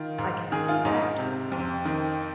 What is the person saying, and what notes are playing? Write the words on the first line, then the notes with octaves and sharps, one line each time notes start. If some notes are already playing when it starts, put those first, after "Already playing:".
"I can see that," was his answer.
Already playing: D#3 F4
G#2
D#3 G#4
F4
G#2 D#4
D#4
C3
F2
D#3